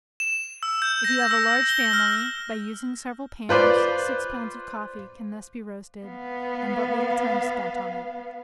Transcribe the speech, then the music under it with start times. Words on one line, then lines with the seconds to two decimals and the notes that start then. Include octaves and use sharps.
If you have a large family, by using several pans, six pounds of coffee can thus be roasted, and but little time spent on it.
0.20 E7
0.63 E6
0.82 G6
1.04 A#6
1.31 E6
1.69 G7
1.93 F6
3.49 F4 B4 C5 D5
6.05 B3 F5